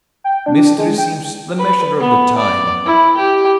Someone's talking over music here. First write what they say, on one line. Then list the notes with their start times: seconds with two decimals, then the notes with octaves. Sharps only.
Mystery seems the measure of the time!
0.24 G5
0.46 D4
0.78 G#3
0.98 G5
1.58 B4
2.00 B3
2.37 D5
2.85 E4
3.17 G4